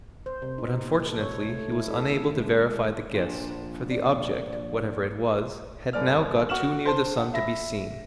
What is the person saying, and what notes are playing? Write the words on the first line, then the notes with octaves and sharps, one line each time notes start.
But unfortunately he was unable to verify the guess, for the object, whatever it was, had now got too near the sun to be seen.
C5
C3
D#4
A#2
A4
C#5
A3
E4
A4
D#3
G#3
A#2 F3 D4
D5
G1 D5 F6
F#4 C#6 F6 E7 F#7
C5 A5 C6
F#5
E5 B5 A#6